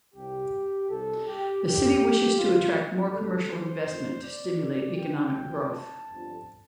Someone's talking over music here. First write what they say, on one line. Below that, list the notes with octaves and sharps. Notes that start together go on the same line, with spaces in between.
The city wishes to attract more commercial investment to stimulate economic growth.
C2 C3 G3 G4
C2 C3 G3 A4
G4
A1 G2 D3 G4
G1 G2 D3 F3 F4
D2 C3 A3 A4
C5
F2 F3 A3
D5
C2 C3 A3
G5
D2 C3 F3
A5
G1 F2 D3 F3